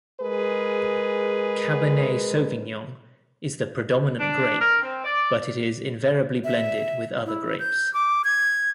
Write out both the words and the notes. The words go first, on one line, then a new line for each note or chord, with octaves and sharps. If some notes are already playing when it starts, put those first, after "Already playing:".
Cabernet Sauvignon is the predominant grape, but it is invariably blended with other grapes.
G#3 G#4 A#4 B4
D4
A#4
C4
D5
E5
E4
G6
D6
G#6